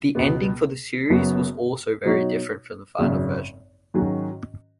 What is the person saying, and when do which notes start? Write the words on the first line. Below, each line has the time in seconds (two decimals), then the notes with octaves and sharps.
The ending for the series was also very different from the final version.
0.15 C#2 B2 B3
1.10 F#1 F#2 F#3 B3 F#4
2.05 B2 F#3 D#4 F#4 C#5
2.99 G#1 F#2 C#3
3.94 G#2 D#3 F#3 C#4 F#4